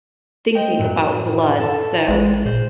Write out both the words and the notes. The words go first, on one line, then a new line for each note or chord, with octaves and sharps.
thinking about blood, so,
C5 D#5 G5
F#2 A2 F#3
A4
A1 G#3 G#4
A#2 G#4 C5